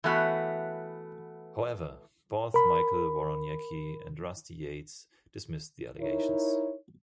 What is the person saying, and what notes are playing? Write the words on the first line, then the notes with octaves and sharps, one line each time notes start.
However, both Michael Woroniecki and Rusty Yates dismissed the allegations.
E3 A3 B3 F#4
A#4 B5
D#4 E4 A#4 C#5